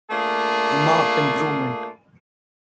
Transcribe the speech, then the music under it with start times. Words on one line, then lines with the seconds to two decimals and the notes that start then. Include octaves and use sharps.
A marked improvement.
0.10 A3 A#3 D4 F4 G#4